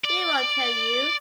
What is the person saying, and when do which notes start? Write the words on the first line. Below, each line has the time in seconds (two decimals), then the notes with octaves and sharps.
He won't tell you.
0.05 D5